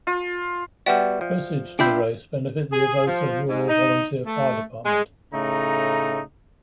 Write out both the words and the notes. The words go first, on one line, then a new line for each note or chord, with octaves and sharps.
Proceeds from the race benefit the Avoca Rural Volunteer Fire Department.
F4
G3 B3 F#4 D5 E5 G5
F3
D4 F4 E5 G5 B5 G6
G#4
F3
G#2
D#4
A3
G#3
A2 C#3 A3 D#4 A#5